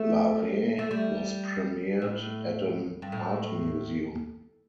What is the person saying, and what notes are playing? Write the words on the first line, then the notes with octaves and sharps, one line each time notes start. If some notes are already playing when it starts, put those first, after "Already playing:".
"Larvae" was premiered at an art museum.
Already playing: A3
A3
G3
A2
G2
A2